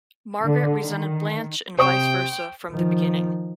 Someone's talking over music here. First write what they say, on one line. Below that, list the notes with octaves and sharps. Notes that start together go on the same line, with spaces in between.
Margaret resented Blanche and vice versa from the beginning.
D3
D#3
C3 C5 G5 C#6 D#6
D#3 F3